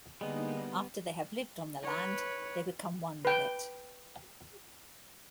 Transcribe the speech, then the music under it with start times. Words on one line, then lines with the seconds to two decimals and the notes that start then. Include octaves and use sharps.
After they have lived on the land, they become one with it.
0.21 D3 G3 G#3 A#3 B3 D#4
1.83 B4 C#5
3.25 B4 G5